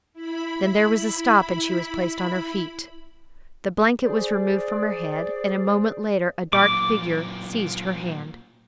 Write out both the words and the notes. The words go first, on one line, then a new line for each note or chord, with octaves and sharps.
Then there was a stop, and she was placed on her feet; the blanket was removed from her head, and a moment later a dark figure seized her hand.
E4 B5
G#4 C5 D5
A#2 F#3 D6